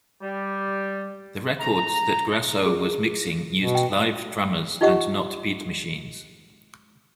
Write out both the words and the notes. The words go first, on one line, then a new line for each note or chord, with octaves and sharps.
The records that Grasso was mixing used live drummers and not beat machines.
G3
A#5
G#4
B2
G5
D#4 F4 G4 D#5 F#5 C#6